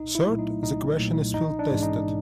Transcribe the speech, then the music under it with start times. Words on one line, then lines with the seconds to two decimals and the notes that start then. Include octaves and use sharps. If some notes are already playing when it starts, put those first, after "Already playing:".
Third, the question is field tested.
Already playing: C2 D#4
0.15 E4
0.26 A#2 F#3 A3
0.39 D#4
0.62 C2 D#4
0.98 A#2 F#3 A3
1.34 A#1 D#4
1.59 D4
1.71 G#2 E3 G#3 C#4
1.83 D#4